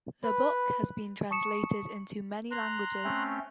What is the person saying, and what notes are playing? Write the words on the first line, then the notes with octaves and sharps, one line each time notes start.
The book has been translated into many languages.
B4
A5 C#6 D#6 C#7 E7
A#5 C6 F#6
A3 C4 C#4